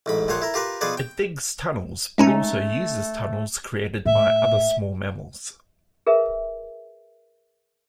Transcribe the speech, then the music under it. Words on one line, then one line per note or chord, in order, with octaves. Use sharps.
It digs tunnels but also uses tunnels created by other small mammals.
A1 G#2 B5
A#1 A#2 C5 C#5 F#5
E4 A#4
F4 G4 A#4 B4
B2 F3 G#4 B4 C5 D5
G5
G#3 A3 C#4 D#4
A2 E5
G#4 A#4 B4 E5